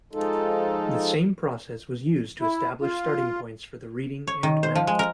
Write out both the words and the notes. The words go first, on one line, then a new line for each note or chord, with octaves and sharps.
The same process was used to establish starting points for reading and math.
F3 G#3 D#4 F4 A4
E4
F4
C#5
D#3
C5
F3
G#3
A#4